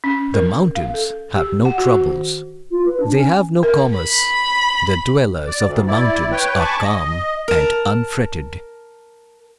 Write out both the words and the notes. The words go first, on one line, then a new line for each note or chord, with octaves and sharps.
The mountains have no troubles; they have no commerce. The dwellers of the mountains are calm and unfretted.
C#4
A#4
F5
A4
G4
F#5
F#4
D#3
F4
B4
D4
C#4
A#4
B5
D5
D2
E4 D5
B4 C#5 G5
G#5 A5 B5 C#6 D6
D#5
A#4 A5